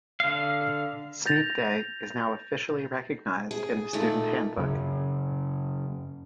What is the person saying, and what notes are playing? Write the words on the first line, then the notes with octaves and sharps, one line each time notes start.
Sneak day is now officially recognized in the student handbook.
D3 F5
G6 A6 A#6 F7
G#4
A#2 D#3 A3
F#2 C#3